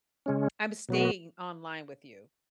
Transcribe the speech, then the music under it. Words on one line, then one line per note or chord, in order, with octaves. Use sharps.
I'm staying online with you.
C#3 G#3 C#4
B2 F#3 B3 F#4